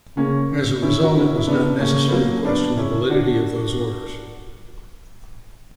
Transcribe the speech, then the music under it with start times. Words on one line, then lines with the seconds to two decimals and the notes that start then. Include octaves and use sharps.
As a result, it was not necessary to question the validity of those orders.
0.17 C#3 A#3 C#4
0.82 D3 C#4 E4
1.03 F#4
1.15 D3 C#4 E4
1.35 E4
1.47 C#3 B3 D4
1.79 C#3 A#3 C#4
2.08 B3
2.12 F#3 A#3
2.45 B3 D4
2.77 C#3 C#4 E4
3.10 D3 D4 F#4